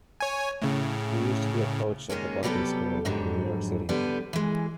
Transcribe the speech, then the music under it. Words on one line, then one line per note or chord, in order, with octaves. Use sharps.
He used to be a coach at the Buckley School in New York City.
C#5 G#5
A2 C#3
D#3 G#3 A#3 C#4
C3 F#3 G3 B3 G4 A4
F2 G#2 D3 F#3 G3
D3 G3 B3 B4
E3 G#3